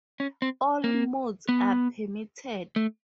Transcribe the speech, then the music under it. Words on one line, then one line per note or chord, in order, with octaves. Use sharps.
All modes are permitted.
C#4
C4
A#3
B3
A3